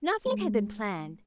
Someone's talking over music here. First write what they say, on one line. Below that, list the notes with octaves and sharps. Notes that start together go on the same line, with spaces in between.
Nothing had been planned.
G#3